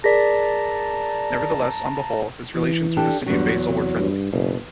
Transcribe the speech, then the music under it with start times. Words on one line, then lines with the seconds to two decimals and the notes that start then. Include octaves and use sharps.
Nevertheless, on the whole, his relations with the city of Basel were friendly.
0.04 G#4 A#4 D5 A5 A#5 A#6 B6
2.54 E3
2.97 D4 G4 A4
3.26 E2 G2 F#3
3.65 C3
3.97 G2
4.33 F#1 B2